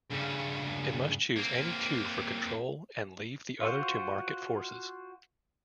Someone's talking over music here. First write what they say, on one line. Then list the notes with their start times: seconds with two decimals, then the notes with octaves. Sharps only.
It must choose any two for control and leave the other to market forces.
0.11 G2 C#3
1.36 A#3 C4
3.61 F4 F#4 C5